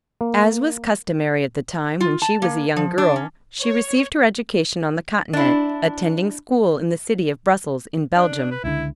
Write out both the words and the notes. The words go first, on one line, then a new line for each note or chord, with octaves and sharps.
As was customary at the time when she was a young girl she received her education on the continent, attending school in the city of Brussels in Belgium.
A#3
F4
A5
A#3
F3
D4
C#4
C#5
D4 E4
D4
B4
C#2 D3 E4